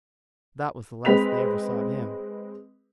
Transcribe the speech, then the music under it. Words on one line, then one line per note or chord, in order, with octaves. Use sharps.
That was the last they ever saw of him.
G#3 C4 B4 B6 F7